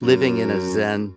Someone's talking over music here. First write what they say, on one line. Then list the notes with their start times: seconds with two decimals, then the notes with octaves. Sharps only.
living in a Zen
0.02 F#2